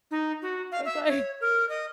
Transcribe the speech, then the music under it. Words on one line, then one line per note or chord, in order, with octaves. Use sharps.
It's like,
D#4
F#4
F5
E5
C#5
A#4
D#5